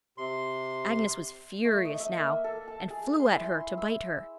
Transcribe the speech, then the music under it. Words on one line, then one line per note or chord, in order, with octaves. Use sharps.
Agnes was furious now, and flew at her to bite her.
C3 C6
A3
D#5
E5
A#3
A4
A5
G#4
C6
E4
C6
E6